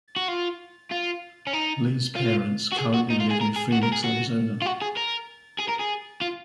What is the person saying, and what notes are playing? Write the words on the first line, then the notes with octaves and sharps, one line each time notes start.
Lee's parents currently live in Phoenix, Arizona.
F#4
F4
F4
C#4
D#4
F4
F#4
G#4
F#4
D#4
F4
G#4
A#4
G#4
F#4
A#4
G#4
F#4
F4
F#4
G#4
A#4
G#4
A#4
G#4
F4